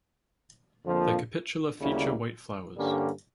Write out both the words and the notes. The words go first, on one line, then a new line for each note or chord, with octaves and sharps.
The capitula feature white flowers.
F2 D3 F3 A#3
D2 C#3 G3 A#3 E4
G2 D3 G3 A#3 C#4